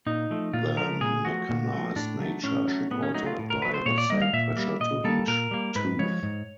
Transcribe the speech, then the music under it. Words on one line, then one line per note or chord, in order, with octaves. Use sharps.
The mechanized nature should also apply the same pressure to each tooth.
A#2 D#4
F3 A3
A#2 F4
F3 A3 A#4
A#2 G#4
F3 A3 F#4
A#2
F3 A3
A2 D4
F#3 A3
A2 C#4
F#3 A3
A2 B3
C#4
F#3 A3 D#4
F4
A2
A#4
F#3 A3 B4
C5
A#2 C#5
D5
G3 A#3 D#5
F5
A#2 E5
G3 A#3
A#2 D#5
G3 A#3 A4
A#2 A#4
G3 A#3
G#2 B4
F3 G#3 C#5
G#2